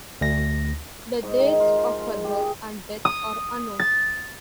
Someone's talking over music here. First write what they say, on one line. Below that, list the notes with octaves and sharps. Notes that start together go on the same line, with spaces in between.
The dates of her birth and death are unknown.
D2 A#6
G#2
D#3
F4
G#3
F5
G4
G#4
D#6
A6